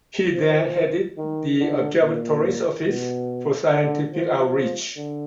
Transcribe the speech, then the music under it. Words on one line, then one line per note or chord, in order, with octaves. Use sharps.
He then headed the Observatory’s office for scientific outreach.
F3
D#3
D3
A#2
B2
D3
F3
D3